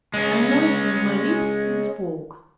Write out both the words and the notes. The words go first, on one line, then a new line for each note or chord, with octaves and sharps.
I moistened my lips and spoke.
G#3 C#4